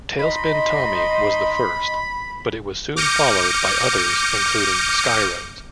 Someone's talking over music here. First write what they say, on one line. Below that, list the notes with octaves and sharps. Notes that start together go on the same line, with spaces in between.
"Tailspin Tommy" was the first, but it was soon followed by others, including "Skyroads".
D#4 D#5 B5 C6
D6 F6 G6 A#6 C#7 D#7